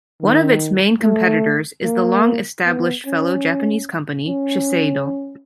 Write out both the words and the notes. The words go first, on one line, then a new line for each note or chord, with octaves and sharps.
One of it's main competitors is the long established fellow Japanese company Shiseido.
D#3
A3
A#3
B3
C#4
C#4